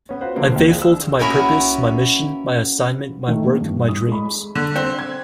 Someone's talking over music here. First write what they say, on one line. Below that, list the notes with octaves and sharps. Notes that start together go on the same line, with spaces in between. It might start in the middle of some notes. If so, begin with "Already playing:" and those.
I'm faithful to my purpose, my mission, my assignment, my work, my dreams.
B3 C#4
F4 F#4 B4 C5
D3 F3 A#3 C4
D#2
D4 F4 G#4
E6
A#3 B3 C#4 E4 F#4
D#3 A3
E3 A#3 B3
G2
E4 D#6
G#3 B5
D3
C4
G#6